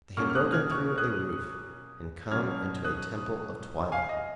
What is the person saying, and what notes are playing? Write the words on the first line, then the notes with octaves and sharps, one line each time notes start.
They had broken through a roof and come into a temple of twilight.
B2 A#3 C#4 C#6 F6
F6
D#6 F#6
F6 G#6
C#6 F6
D#6 F#6
B2 F#3 C#4 F6 G#6
D#6 F#6
F5 G#5
D#5